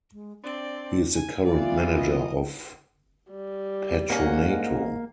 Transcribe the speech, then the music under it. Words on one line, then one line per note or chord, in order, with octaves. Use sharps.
He is the current manager of Patronato.
G#3
C4 D4 D5
G#5
E3 B3 F4 D5
A#3 D#5
G3
G#2 A#3 C#4 F#5